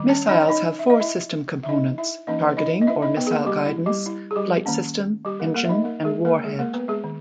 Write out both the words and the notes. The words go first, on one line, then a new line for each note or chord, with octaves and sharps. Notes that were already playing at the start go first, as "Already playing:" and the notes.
Missiles have four system components: targeting or missile guidance, flight system, engine, and warhead.
Already playing: D#3 G3
C#4 C#5
D#4 D#5
C#5
D#4 D#5
E5
D#5
E4 E5
E5
D#4 D#5
E4 E5
E3 A#3 C#4 D#4 D#5
B4
C#5
D#4 D#5
D#5
E4 E5
D#4 D#5
B3 B4
G#4
A#3 A#4
G3 G4
E4
G3 G4
E4
G#4
G3 G4
D#3 A#3 C#4
G3 G4
A#3 A#4
A#3 A#4
E5
D#4 D#5
A#3 A#4
G#3 G#4
A#3 A#4
G#3 G#4
A#3 A#4
B3 B4
G#3 G#4
D#3